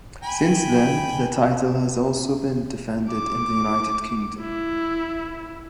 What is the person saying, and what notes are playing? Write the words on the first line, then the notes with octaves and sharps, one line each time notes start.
Since then, the title has also been defended in the United Kingdom.
G5 G#5 B5
D6
E4